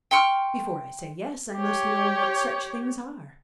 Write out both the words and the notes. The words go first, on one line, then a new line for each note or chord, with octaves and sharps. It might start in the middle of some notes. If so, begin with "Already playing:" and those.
"Before I say yes I must know what such things are."
G5 C6 C#6 F6
G4 C#5